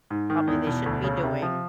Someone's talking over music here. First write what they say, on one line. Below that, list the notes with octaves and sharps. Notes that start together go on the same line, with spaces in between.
probably they shouldn't be doing.
G#2
D#3
E2
B2
D2
C#3
C3
F3